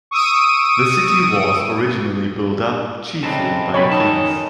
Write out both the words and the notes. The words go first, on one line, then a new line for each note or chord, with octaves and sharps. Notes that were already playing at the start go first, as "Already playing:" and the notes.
The city was originally built up chiefly by Finns.
C#6 D#6 E6 D7 D#7
C#3 G3 C4 C#4 D#4 A4
F#2 B2 G3 A#4 C#5 B5
D#3 D#4 G#4 A4 B4 A5